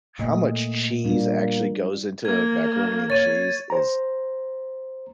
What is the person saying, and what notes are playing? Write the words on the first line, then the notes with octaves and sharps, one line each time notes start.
how much cheese actually goes into macaroni and cheese is
A#2 A3 D#5
G3 A#3 D4 F4
A#3 G#6
C#5 A6 D#7
C5 A#5